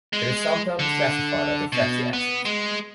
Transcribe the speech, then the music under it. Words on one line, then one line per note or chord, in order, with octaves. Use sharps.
It is sometimes classified as a fatty acid.
G#3
D3
B2
B3
G#3